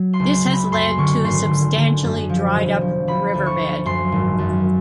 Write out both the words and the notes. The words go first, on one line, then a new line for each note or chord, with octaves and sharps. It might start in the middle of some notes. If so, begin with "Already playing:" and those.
This has led to a substantially dried-up riverbed.
Already playing: F#3
C6
C#2
C#2
B5
F#2 C6
D3 C#6
G#1 C6
D3
D3
F#2
F3
E1
F3
F3 B5
D2
C#6
D2
F#2 C6
G#1
F#2